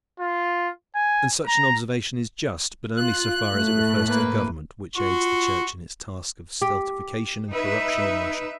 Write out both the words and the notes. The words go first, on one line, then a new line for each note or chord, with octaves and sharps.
And such an observation is just, but only so far as it refers to the government, which aids the Church in its task of stultification and corruption in Russia.
F4
G#5
A#5
F4 F#6
A2 A3
A#3 B4
F4 F#4 C6 C#6
G4
D#4 B4 E5